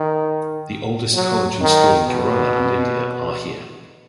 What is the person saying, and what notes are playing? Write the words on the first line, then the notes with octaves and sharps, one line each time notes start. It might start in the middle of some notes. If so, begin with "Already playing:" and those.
The oldest college and school in Kerala and India are here.
Already playing: D#3
F#3
D#3
B2